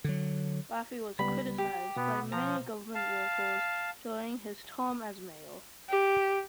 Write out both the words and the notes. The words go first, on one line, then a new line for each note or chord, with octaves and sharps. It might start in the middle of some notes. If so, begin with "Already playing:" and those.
Laffey was criticized by many government workers during his term as mayor.
D3 F#3
C#2 G3 B3 B5
G4
B2 B3
F3 A#5
F5 A5
G4